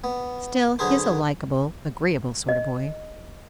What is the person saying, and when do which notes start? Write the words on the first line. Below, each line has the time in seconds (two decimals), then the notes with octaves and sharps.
"Still, he's a likable, agreeable sort of boy."
0.04 B3
0.79 D3 F#3 G#4 B4 C5
2.49 D#5